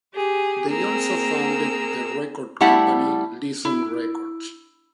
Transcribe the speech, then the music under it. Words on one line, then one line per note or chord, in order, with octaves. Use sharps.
They also founded the record company Listen Records.
G4 G#4
A#3 C4 G#4 A#4 E6
G3 A3 E4 F#5 A5
E4